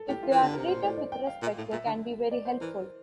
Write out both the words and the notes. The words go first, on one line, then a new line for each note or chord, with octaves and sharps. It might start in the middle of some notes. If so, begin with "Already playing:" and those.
If they are treated with respect, they can be very helpful.
Already playing: A4
A2 G4
F4
E3
D3 G4
C3 A#4
A#2 C5
A2 D5
D5
G5
F5
A#2
A2
A#2 E5
D3
D5
C5
E3 A#4